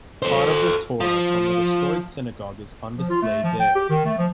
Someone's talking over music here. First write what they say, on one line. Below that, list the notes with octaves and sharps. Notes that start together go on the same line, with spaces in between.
Part of the Torah from the destroyed synagogue is on display there.
A4 C5
F3
F3
F4
A3
F3
G5
G4
D#3
A3
F3